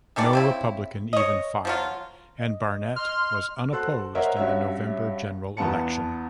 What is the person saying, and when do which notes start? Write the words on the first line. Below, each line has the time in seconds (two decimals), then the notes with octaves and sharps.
No Republican even filed, and Barnett was unopposed in the November general election.
0.16 D#3 E3 A4 D5
0.33 C#3 C4 E4
1.13 C#5 D#5
1.65 F3 F#3 F4
2.39 D#5
2.96 C6 F6
3.72 F#4 A4 C5 C6 F#6
4.15 A#4 C5 C#5 D#5 E5 F#5
4.36 G2 C#4 F#4 C#5 E5
5.57 E2 B3 F4 A5 C#7